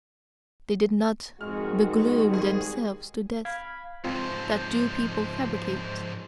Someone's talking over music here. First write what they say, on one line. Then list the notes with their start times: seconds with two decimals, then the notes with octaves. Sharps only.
They did not "begloom" themselves to death--that do people fabricate!
1.41 F2 G#2 D#3 G#3 F#4 F6
2.29 G3 G#4
3.45 F5 B5 G#6
4.05 G#2 F3 C4 F4 C5